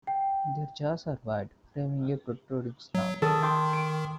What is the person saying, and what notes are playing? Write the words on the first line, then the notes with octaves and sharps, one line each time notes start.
Their jaws are wide, framing a protruding snout.
G5
F#3
D#3 A4 D#6
G5 C6 D6
D7